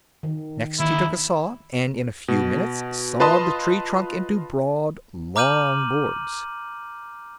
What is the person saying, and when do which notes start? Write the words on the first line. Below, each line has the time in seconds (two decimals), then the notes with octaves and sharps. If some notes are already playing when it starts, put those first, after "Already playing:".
Next he took a saw and in a few minutes sawed the tree-trunk into broad, long boards.
0.23 D#3
0.80 D#2 E4
2.28 B2
3.20 F4 B4 D#5 A5 C6 D#6
5.36 A#5 D6 F6 G6 D#7 F#7